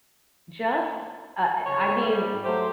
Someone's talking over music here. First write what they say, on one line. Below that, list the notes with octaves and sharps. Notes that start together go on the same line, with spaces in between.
just uh, I I mean,
C#3 C#5
G#2
G3
F#3 A3 G4 C5